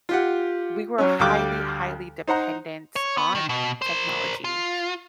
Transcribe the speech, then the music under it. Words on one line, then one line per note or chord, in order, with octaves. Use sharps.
we were highly, highly dependent on technology.
F4 G4 F#5
F#3 C#4
D2 G3 F5 G5 D6 F#6
D#4 C5 F#5 A#5
C#5
B3
D#3
B2
A#4 C5
F4